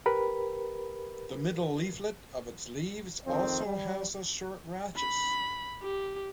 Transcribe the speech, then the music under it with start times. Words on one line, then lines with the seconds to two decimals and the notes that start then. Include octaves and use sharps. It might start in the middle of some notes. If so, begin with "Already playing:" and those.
The middle leaflet of its leaves also has a short rachis.
0.06 G4 A#4 B4 B5
3.27 F2 D#3 C4
3.65 G3
4.96 B5
5.83 G4